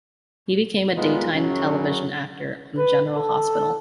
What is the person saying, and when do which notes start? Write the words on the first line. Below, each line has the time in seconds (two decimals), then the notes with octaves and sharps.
He became a daytime television actor on "General Hospital".
0.96 D2 A#2 G#3 B3 D#4 F4
1.33 F#2 C#3 F#3 C#4
2.78 B4
3.16 A4